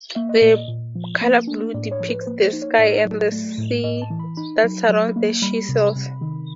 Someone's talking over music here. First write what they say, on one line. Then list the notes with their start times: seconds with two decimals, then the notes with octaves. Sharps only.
The colour blue depicts the sky and the sea that surrounds the Seychelles.
0.15 A#3 E5
0.29 D#5
0.42 A#2 D5
0.55 D#5
0.68 A#2
0.95 F3
1.21 A#3
1.47 D4
1.74 A2 D5
1.91 C#5
2.00 F3
2.09 B4
2.21 C5
2.26 A#3 B4
2.44 C5
2.53 D#4
2.62 C#5
2.79 A2 D5
3.05 F#3
3.32 A3
3.58 A2
3.84 A2 D#5
4.02 A5
4.10 E3
4.19 B5
4.37 D#4 B5
4.64 F#3
4.89 F#3
5.16 A#3
5.42 G3 B5
5.69 C3
5.95 C3
6.21 D#3